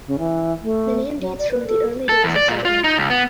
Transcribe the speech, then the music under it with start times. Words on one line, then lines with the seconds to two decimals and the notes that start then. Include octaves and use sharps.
The name dates from the early days of settlement.
0.07 C#3
0.19 E3
0.63 A3
1.20 F#3
1.39 D5
1.51 B4
1.67 A4
2.09 A4
2.24 E2
2.36 D5
2.48 A#2
2.65 F4
2.84 D#4
2.97 C#2
3.10 B3